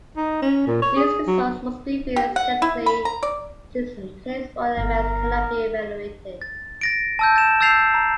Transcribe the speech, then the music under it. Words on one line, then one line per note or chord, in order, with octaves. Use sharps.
These results must be viewed skeptically since placebo effects cannot be evaluated.
D#4
C#4
A#2
C#5
G#4
F#3
G4
F#5
E4
B5
A#5
D5
G1 A#4
A6
A6 A#6 D7
A5 E6 G6
A6 E7
E6 G6 A6 C7 F7
A#5